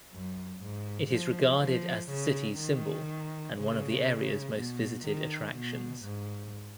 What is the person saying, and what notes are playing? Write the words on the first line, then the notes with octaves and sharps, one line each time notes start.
It is regarded as the city's symbol and one of the area's most-visited attractions.
F#2
G#2
F3
F3
C#3
D#3
C#3
B2
D#3
B2
G#2